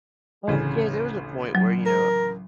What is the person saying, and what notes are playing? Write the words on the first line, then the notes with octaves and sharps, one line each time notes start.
Um, yeah, there was a point where, y you know,
A1 D2 C#3
F#3
A#4